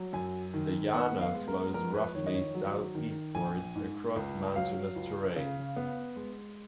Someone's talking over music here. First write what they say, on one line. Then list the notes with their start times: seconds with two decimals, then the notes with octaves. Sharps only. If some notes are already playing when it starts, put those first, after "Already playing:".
The Yana flows roughly southeastwards across mountainous terrain.
Already playing: F#3
0.13 F#2 G#5
0.54 D#3
0.94 B3 F#5
1.21 F5
1.34 G#3
1.48 A#4
1.74 F2 A#4
1.94 B4
2.15 D#3 C#5
2.27 D#5
2.35 C#5
2.55 F#3
2.95 D#3
3.35 A#1 G#5
3.75 G#2
4.16 C#2
4.56 F#3 F5
4.96 C#2
5.36 C#3
5.76 B3
6.16 G#3